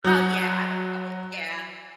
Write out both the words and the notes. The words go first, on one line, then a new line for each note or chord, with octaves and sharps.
Oh yeah, I would probably yeah,
F#3 F#4